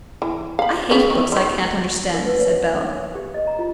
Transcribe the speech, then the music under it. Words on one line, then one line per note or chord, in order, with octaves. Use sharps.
"I hate books I can't understand," said Bell.
E3
F5 B5
C#3 B4
D#3
D3 D#3
A#4
B4
C#5
F#5
D#4
F5
G4
D#5
A#5
F4